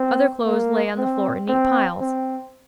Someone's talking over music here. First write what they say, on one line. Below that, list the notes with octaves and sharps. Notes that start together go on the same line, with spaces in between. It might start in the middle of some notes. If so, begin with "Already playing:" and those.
Other clothes lay on the floor in neat piles.
Already playing: C4
A#3
C4
C4
C4